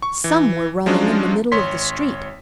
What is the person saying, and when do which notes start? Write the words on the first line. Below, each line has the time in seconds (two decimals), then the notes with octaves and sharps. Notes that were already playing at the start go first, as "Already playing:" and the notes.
Some were running in the middle of the street.
0.02 C#6
0.24 E3
0.86 F3 F#3 G#3 C#4 D4 F4
1.52 G#1 C#5 C6 B6